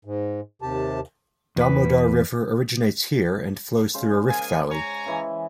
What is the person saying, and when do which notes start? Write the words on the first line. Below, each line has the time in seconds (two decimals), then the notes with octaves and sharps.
Damodar River originates here and flows through a rift valley.
0.05 G#2
0.62 D#2 C3 G4 A5
1.56 E2 B4
3.94 C#3 G#3 C5
4.29 A#3 G#4 G#5
4.71 C#5 G#5 A#5
5.06 C#3 E3 G#3